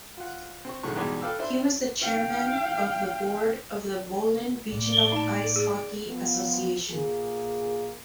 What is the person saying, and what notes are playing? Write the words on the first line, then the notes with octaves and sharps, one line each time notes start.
He was the chairman of the board of the Volyn Regional Ice Hockey Association.
F4 F#5
C4 C5 C#6
B1 A2 D3 G#3 C#6
E2 G#2 B2 G3 G#3
A4 B4 F5 G5 D6 E6
D4 E4 C5 E5
F5 G5
A2 A#3 D5
D#4 A5
G#4
F3 B3
A#2 A#3 G#4